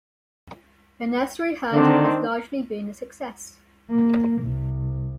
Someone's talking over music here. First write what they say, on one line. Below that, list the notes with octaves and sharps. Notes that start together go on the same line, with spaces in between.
The nursery herd has largely been a success.
D3 D#3 C4 D4
A#3
C2